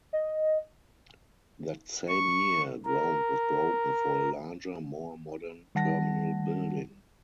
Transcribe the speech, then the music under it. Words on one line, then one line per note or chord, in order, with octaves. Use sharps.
That same year, ground was broken for a larger, more modern terminal building.
D#5
C#6
A#4
D#3 G3 F#5 A5 A#6